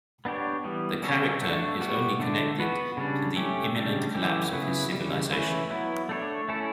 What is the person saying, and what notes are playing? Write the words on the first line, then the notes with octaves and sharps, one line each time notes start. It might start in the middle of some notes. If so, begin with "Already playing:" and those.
The character is only connected to the imminent collapse of his civilization.
B3 D4 G4 C#5
E3 G3 B3
G3 C#4 F#4 A4 C#5
A3 D4 F#4
G3 B3 F#4
D3 A3 D4
B3 F#4 B4
C#3 G3 D4
A3 C#4 G4
C#3 G3 D4
E3 A3 C#4 G4
C#3 F#3 B3 E4 B4
C#3 E3 G3
E3 A3 C#4 E4 B4
F#3 B3 E4
A3 D4 A4 C#5
A3 C#4 E4 A4